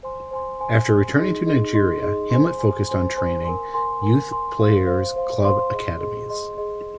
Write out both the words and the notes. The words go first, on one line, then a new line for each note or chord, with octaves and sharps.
After returning to Nigeria Hamlet focused on training youth players club academies.
C5 G#5 C6
C5 G#5 C6
C5 G#5 C6
C5 G#5 C6
D#4 G#4 D#5 C6
D#4 G#4 D#5 C6
D#4 G#4 D#5 C6
D#4 G#4 D#5 C6
C5 G#5 C6
C5 G#5 C6
C5 G#5 C6
C5 G#5 C6
A#4 G#5 C6
A#4 G#5 C6
A#4 G#5 C6
A#4 G#5 C6
C5 F5 C6
C5 F5 C6
C5 F5 C6
C5 F5 C6
G#4 D#5 C6
G#4 D#5 C6
G#4 D#5 C6
G#4 D#5 C6